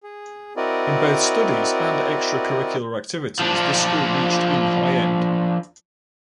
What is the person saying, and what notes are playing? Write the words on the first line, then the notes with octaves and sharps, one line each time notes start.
In both studies and extra curricular activities this school reached in high end.
G#4
C4 E4 F#4 A#4 D5 D#5
F3 D4